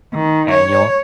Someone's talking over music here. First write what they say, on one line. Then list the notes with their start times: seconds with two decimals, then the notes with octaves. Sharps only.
and you won't
0.14 D#3
0.51 C#5